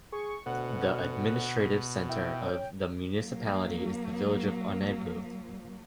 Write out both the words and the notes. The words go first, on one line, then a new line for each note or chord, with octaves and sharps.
The administrative centre of the municipality is the village of Andebu.
G#4 C#6
D2 B2 F#5
E4 G5
C#4
F#3 A#3